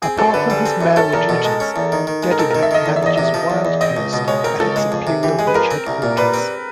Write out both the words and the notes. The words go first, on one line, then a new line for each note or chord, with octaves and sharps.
Apart from his mayoral duties, Dedina manages Wildcoast at it's Imperial Beach headquarters.
C4 G#4
F#2 A4
D3 B4
G3
C4
F#2
C#4 A4
E2 A#4
B2
G#3
C#4
E2
D#3
D#3
G#3
A#4
C4 A4
D#3 A#4
E5
D#3 D#5
E2
E5
E2 D#5
C3 E5
F3
E2
E2
C4 D#5
C#2
B2
G#3 C#5
C4 A#4
C#2 A4
G#3 G#4
F2
C3
E3 G4
G#3 G#4
B4
F2 A#4
C4
C2
A#2
G3 B4
C4